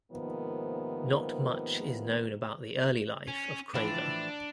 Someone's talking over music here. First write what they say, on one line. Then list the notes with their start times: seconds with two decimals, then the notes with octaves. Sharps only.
Not much is known about the early life of Craver.
0.11 G#2 C3 D#3 F3 A#3 B3
3.27 C#4
3.74 A2 E3 F3 D4